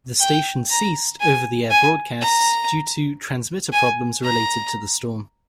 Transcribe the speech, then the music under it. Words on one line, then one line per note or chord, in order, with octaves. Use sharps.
The station ceased over-the-air broadcasts due to transmitter problems related to the storm.
G5
A#5
G#5
G#5
A#5
G#5
A#5